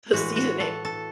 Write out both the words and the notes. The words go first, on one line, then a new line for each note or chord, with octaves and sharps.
the seasoning.
A2 E3 G#3 F#4
F#4
A4
A4